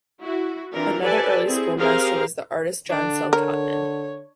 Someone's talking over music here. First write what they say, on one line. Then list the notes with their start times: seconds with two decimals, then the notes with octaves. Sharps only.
Another early schoolmaster was the artist John Sell Cotman.
0.20 E4 F#4
0.73 E3 C4 D4 F4 A#4
1.02 G4 A4 B4 D5 G#5 A5
1.46 C4 E4 G#4
1.78 C4 G4 G#4 A#4 C5 F5
2.89 D3 D4
3.33 A#4 C#5